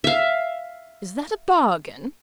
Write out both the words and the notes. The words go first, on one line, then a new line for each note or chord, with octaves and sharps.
Is that a bargain?'
E5 F5